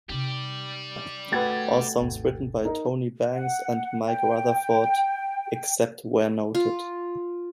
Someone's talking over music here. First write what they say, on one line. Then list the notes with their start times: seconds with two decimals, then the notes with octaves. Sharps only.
All songs written by Tony Banks and Mike Rutherford, except where noted.
0.10 C3 D#4 G4 D5
1.32 A3 F#4 B4 G5 G#6 A6
2.00 G#1 D#2
2.65 D#4 A#4
3.32 F#5
4.06 G5
6.55 F4